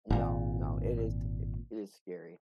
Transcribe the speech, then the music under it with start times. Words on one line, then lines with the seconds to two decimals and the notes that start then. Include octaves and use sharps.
No, no, it is it is scary.
0.10 G#1 A#2